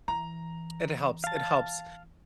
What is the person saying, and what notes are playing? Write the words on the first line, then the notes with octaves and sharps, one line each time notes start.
it helps it helps
E3 A#5
F5 A5